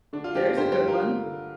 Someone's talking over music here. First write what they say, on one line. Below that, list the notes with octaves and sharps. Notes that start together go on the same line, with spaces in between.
There's a good one.
D3 D4
F4
D3 D4 G4
G2 G4 C5
G4 C5
G2
F4 A#4
D3
D3